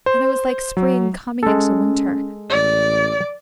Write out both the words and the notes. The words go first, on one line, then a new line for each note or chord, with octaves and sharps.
And it was like spring coming into winter.
C5
F#3
G#3 C#4 A4
A1 D5